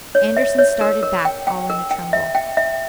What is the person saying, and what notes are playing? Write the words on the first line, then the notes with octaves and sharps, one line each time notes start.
Andersen started back all in a tremble.
C#5
E5
C#5
A#4
A#4
G5
G5
A#4
G5
E5
G5
E5